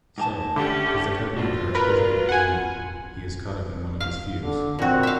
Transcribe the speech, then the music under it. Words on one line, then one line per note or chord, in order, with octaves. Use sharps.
So, as the captain of the Archbishop of Cologne, he is caught up in one of his feuds.
G#2 G4 A5
D3 A3 C#4 G4
F4 F#4 D5
A#4 B4
F#5 G#5
F5
D3
A#2 C4 F#4
E5 F5